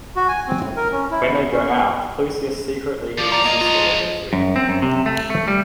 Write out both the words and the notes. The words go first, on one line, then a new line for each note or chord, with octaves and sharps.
When they go out Lucius secretly eats his fill of their food.
F#4
G#5
C4
A2
A#4
C#4
E4
E2
C#4
B3
F3 D5
D5 A#5
A#3 D#5
F3 F4 A#5
F#2
C4
F#2
C3
A3
A3
G3